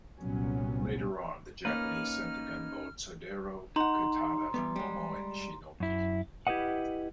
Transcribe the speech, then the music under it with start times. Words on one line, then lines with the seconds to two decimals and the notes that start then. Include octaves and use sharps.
Later on the Japanese sent the gunboats "Hodero", "Katata", "Momo" and "Shinoki".
0.19 C2 A#2 F#3 B3 C#4
1.65 A#3 C#4 D#4 B4 F6
3.76 D#4 F#5 A#5 C6
4.54 E3 G3 B3
4.76 G3 G#3
5.80 F#2 E4
6.47 E4 G4 B4 D#5 F#5